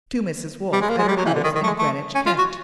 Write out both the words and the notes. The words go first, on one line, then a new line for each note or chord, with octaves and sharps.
To Mrs. Wolfe, at her house in Greenwich, Kent.
G3
G#3
A#3
G#3
G3
F#3
E3
D3
D#3
D#3
A3
G#3
A3
C#4
F4
F#4